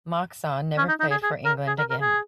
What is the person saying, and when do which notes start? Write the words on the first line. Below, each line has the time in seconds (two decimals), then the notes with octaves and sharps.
Moxon never played for England again.
0.78 C#4
0.88 D#4
1.00 D#4
1.11 G#4
1.23 G#4
1.45 A#4
1.68 G#4
1.79 A#4
1.90 A#4
2.01 G#4